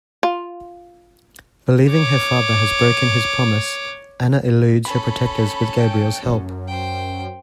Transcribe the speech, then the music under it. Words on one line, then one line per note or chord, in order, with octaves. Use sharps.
Believing her father has broken his promise, Anna eludes her protectors with Gabrielle's help.
F4
C#5 D6
C#4 A4 B5
G5
F#2
C5 G5